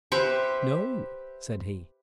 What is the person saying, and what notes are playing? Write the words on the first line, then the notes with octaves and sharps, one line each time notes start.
"No," said he.
G4 B4 C5 E5